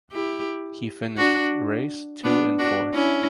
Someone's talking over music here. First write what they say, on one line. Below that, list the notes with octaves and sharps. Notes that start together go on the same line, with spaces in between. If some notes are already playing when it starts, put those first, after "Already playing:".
He finished race two in fourth.
E4 G4
D4 F#4
B3 D4
D4 F#4
C#4 E4